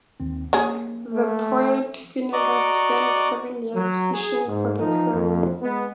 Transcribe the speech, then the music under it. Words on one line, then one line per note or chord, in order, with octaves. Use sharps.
The poet Finegas spent seven years fishing for this salmon.
D#2 D#3 C4
A#3 C#4 G4 G#4
A3
F#4 D5 D#5 A#5 C#6 D6
F#3
G#4
G#2
E3 F3 D#4
F2
G#3 B3